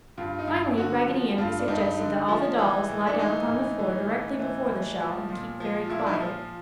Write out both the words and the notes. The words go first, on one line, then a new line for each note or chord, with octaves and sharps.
Finally Raggedy Andy suggested that all the dolls lie down upon the floor directly before the shell and keep very quiet.
G2 F4
D#4
G2 E4
D3 F#4
F3
G2 F4
D4
G2 D#4
D3
F3
E3
A2
D4
E3 D#4
A2
E3
A2
E3
A2
F3
A#2
F3
F4
A#2 E4
D4
D#4
E4
F3 F4